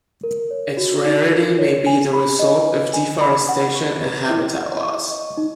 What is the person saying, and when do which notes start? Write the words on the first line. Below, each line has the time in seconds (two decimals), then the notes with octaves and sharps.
Its rarity may be the result of deforestation and habitat loss.
0.24 A#4
0.51 C#5
0.77 F#4
1.05 D#4
1.32 A#4
1.59 C#5
1.86 G#5
2.13 B5
2.39 D#5
2.67 B4
2.94 G#5
3.21 B5
3.49 F#5
3.75 C#6
4.03 B4
4.30 E4
4.56 F#5
4.84 C#6
5.10 D#5
5.37 D#4